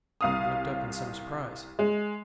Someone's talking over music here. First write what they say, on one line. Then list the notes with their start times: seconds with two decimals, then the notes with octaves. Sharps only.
He looked up in some surprise.
0.21 C2 F5 D#6
1.79 G#3